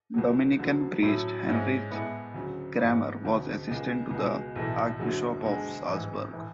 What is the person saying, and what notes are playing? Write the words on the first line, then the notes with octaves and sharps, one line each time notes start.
Dominican priest Heinrich Kramer was assistant to the Archbishop of Salzburg.
C#2 B2 F#3
E1 D2 D3 F#3
A2 F#3 A3 C#4
G#2 G#3 C#4 E4
A2 G#3 B3 E4
D2 C#3 F#3
G#2 E3 B3
E1 D2 C#3
C#2 C#3 G#3
C#2 B2 G#3
B1 A2 E3 A3 E4
F#1 F#2 D3 F#3
E1 D2 D3 G#3
A1 G#2 E3
A2 E3